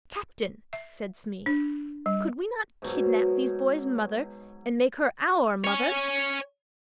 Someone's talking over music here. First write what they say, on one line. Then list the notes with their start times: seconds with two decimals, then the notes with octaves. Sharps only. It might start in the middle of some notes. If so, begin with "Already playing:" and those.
"Captain," said Smee, "could we not kidnap these boys' mother and make her our mother?"
0.73 E5
1.46 D4
2.06 G3
2.82 G#2 B2 F#3
5.64 C#5 G#5